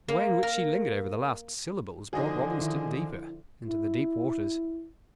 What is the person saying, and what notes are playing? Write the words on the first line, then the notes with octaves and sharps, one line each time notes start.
The way in which she lingered over the last syllables brought Robin still deeper into the deep waters.
A#3
A#4
D3 F3 D#4 F#4 G#4 D#5
D#3 E4
E4